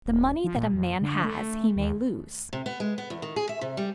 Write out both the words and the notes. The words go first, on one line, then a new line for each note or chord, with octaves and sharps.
The money that a man has he may lose.
D#1
F3
A#2
F2
D3
A3
D#2
C3
B3
G#3
B3
E2
D#3
G#4
E5
C3
G3